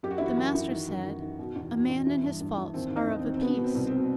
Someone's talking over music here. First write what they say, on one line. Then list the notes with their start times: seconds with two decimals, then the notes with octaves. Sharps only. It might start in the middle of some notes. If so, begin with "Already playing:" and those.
The Master said, A man and his faults are of a piece.
0.03 F#2 G4
0.11 F#4
0.18 E4
0.21 E3 F#4
0.37 F#2
0.55 E3
0.71 D#3
0.88 F#2
1.04 D#3
1.22 D#3
1.39 B2
1.56 E2
1.73 B2
1.90 E2
2.07 E3
2.23 G2
2.41 G2
2.58 E3
2.74 D#2 C4
2.91 D#2
2.96 D#4
3.08 D#2
3.19 C4
3.24 D#3
3.34 C4
3.41 B2 B3
3.58 B2
3.64 C4
3.75 C2
3.87 C4
3.92 B2